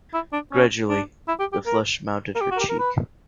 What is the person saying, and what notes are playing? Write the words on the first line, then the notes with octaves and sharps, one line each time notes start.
Gradually the flush mounted her cheek.
E4
D4
C#4
D4
E4
G4
G4
A#4
A#4
G4
F#4
A#4
G4
A#4
B4